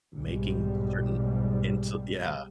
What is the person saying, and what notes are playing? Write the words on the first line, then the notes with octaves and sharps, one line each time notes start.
making certain into yeah.
B1 G#2 G3